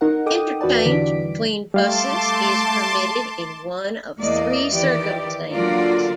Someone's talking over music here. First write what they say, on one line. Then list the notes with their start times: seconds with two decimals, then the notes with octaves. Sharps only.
Interchange between buses is permitted in one of three circumstances.
0.01 D#4 A#4 F#5
0.26 A4 D#5 G5 D6 D#6
0.61 E2 F#4 B4 D5 A5
0.85 D3 E3 G3 D5 B6 D7
1.74 G3 A3 F5 A5 C6 D6
4.19 E2 A#3 D5 D#5
4.72 D#3 E3 G4 D5
5.52 D3 F#3 A#3 F4 A#4 D5